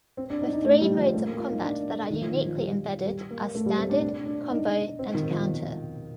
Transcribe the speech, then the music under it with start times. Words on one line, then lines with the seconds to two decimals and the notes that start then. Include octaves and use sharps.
The three modes of combat that are uniquely embedded are "standard", "combo" and "counter".
0.17 C4
0.30 D4
0.41 D#4
0.53 D#4
0.65 A3
0.81 G3
0.97 F3
1.14 A3
1.25 A#3
1.38 F4
1.50 D#4
1.62 D4
2.10 D#3
2.21 F3
2.34 D#3
2.46 F3
2.57 G3
3.06 G3
3.31 A#3
3.55 A3
3.66 G3
3.78 C4
3.90 D4
4.02 D4
4.26 D4
4.50 D#4
4.99 C4
5.15 D#3
5.31 F3